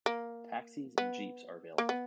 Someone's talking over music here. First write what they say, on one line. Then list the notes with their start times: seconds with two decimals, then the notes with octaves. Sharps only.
Taxis and jeeps are available.
0.06 A#3
0.98 B3
1.78 A#3
1.89 B3